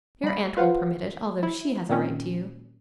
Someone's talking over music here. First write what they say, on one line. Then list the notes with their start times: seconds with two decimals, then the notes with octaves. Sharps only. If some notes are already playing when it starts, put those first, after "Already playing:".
Your aunt will permit it, although she has a right to you.
0.24 G3 B5
0.57 F4 B4 C5 F5 F#5
1.43 E4
1.89 A#2 D#3 C4 C#4